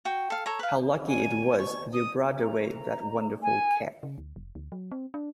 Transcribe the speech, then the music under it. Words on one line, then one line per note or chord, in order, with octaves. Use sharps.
How lucky it was you brought away that wonderful Cap!
F#4 G5
A4 F5
A4 C#5 A#5
B4 F5
G#5
C#6
D#6
A#5
G#5
C#3
D2
F1
D2
F#3
C4
D4